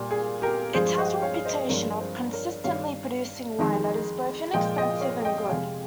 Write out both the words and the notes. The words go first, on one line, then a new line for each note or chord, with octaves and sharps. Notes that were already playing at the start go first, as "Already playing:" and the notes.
It has a reputation of consistently producing wine that is both inexpensive and good.
Already playing: A#2 G3
G#4
G4 A#4
G2 F3 G#3 G#4 C5
C5 D#5
C#5 F5
F5
C5 D#5
G2 F3 G#3 A#4 C#5
G#4 C5
A#4 C#5
G2 D#3 G3 C#5 F5
F2 D#3 G#3
A#2 F3 G#3 D#5 G5
D#5 G5
C#5 F5
D#5 G5
F2 C3 F3 G#3 F5 G#5